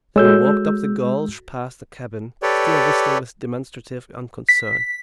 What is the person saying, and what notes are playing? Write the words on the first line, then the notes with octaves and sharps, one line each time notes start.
Then he walked up the gulch past the cabin, still whistling with demonstrative unconcern.
G#3 F#4 A4 C#5 E6 G6
G4 A4 B4 C#5 D5
B6